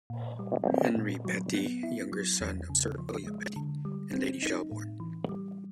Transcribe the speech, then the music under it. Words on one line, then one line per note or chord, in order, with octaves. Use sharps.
Henry Petty, younger son of Sir William Petty and Lady Shelburne.
A#2
G3
C4
A#2
F#3
B3
E4
F#3
E2
C#3
F3
G#3
D3
G3
C4
D#4
A2
E3
G3